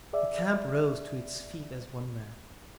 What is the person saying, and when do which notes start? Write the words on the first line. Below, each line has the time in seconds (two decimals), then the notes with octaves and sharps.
The camp rose to its feet as one man!
0.13 G#4 D5 E5